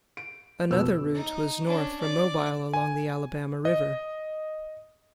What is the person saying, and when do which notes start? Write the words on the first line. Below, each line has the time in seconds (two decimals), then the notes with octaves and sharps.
Another route was north from Mobile along the Alabama River.
0.17 D7
0.70 B1 F2 B3 F#4 E6
1.15 D#4
1.66 C#4 D4
2.01 D5
2.74 G#5
3.65 D#5